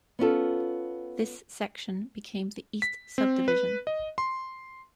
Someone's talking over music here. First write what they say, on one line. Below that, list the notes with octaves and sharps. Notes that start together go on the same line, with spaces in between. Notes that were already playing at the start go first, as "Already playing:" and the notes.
This section became the East Subdivision.
B3 C#4 F4 A4
B6
C4
B4
D#5
C6